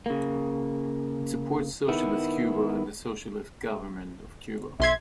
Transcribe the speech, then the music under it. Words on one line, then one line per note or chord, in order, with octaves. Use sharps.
It supports socialist Cuba and the socialist government of Cuba.
C#3 A#3
D#3 B3 E4
B1 E5 C6 G#6